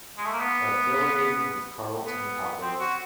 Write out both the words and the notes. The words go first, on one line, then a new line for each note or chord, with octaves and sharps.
Affiliated with Carleton College.
G#3
A3
A#3
B3
B3
C4
F#4